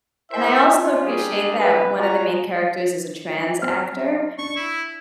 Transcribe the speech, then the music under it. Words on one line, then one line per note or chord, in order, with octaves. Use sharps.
And, I also appreciate that one of the main characters is a trans actor,
E4 G#4 A#4 C5 E5 F#5
C#4 F4
G3 D4 G4 G#4
B4
F4 F#4 C#5 G#5 A#5
F#3 C4 F6
D4 C#6
E4